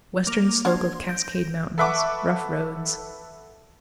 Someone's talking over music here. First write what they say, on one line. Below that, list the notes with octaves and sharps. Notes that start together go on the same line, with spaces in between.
Western slope of Cascade Mountains.--Rough roads.
A#3 D6 F7
F#3 D4 F#4 C6 G#6
G6 A#6 D7
A4 B4 E5 F#5 C#6 D6